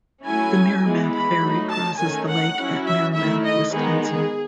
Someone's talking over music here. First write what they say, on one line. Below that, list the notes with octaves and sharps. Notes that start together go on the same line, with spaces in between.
The Merrimac Ferry crosses the lake at Merrimac, Wisconsin.
F#3 A3 C#4 E4 G#5
E3 G#3 B3
B5
F#3 A3 D#4
A5
D#3 A3 C#4 G#5
F#5
F#3 C#4 E4
E5
D#3 A3 E4 E5
D#5
D#3 G#3 B3 D#4 G#4
G#4